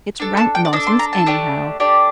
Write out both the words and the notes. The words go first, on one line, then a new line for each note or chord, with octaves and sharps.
It's rank nonsense, anyhow!
D4 A4
A5
G5
D5
D4 A4 D#5
C6
A#5
A5
A3 D4 G4
A3 D4 G4